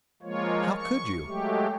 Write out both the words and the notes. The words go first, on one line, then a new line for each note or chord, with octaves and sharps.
"How could you?"
F3 G#3 A#3 F4 C#5
C#6
F#3 G#3 A3 G4